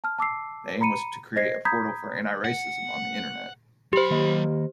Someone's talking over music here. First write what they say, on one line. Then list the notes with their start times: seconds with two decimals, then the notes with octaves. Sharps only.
The aim was to create a portal for anti-racism on Internet.
0.04 A5 F6
0.19 A5 D6 E6 C7
0.81 A#5 B5 C#7 D#7
1.36 C5 D#5 G#6 A#6 C7
1.65 A#5 B5 D#6 G6 G#6 B6
2.45 F#5
3.93 F#3 G4 C5 B5
4.10 D#3 A#3 D#5